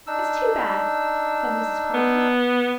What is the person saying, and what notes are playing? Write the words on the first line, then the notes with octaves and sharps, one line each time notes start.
"It's too bad," said Mrs. Crawford.
D4 D#4 E6
B3